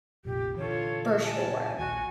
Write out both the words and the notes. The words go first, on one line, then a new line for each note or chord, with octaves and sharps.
For sure.
F1 A#1 F2 A#2 G4
D3 E3 D4 F4 A4 C#5
G#5 A5
A#1 D#2 F#4 G#5